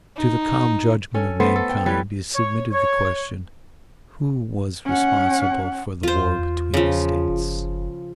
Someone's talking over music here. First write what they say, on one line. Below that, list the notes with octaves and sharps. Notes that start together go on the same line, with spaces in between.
To the calm judgment of mankind is submitted the question, Who was responsible for the war between the States?
D#4
C#4 A4
A3 B3 C5
A4
G5
E3 G3 B4 C#5
C#5
C#5
C#4 F#5
E2 F4 C5
E2
C#3 F3
F#1